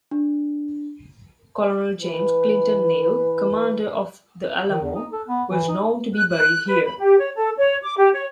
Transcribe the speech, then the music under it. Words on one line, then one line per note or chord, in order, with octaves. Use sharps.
Colonel James Clinton Neill, commander of the Alamo, was known to be buried here.
D4
E3 B4
D#3
E2
D#4
A4
B3
E3
D#4
F#6
F#6
B4
B5
G4
C#5
A4
C#5
D6
G4
C#5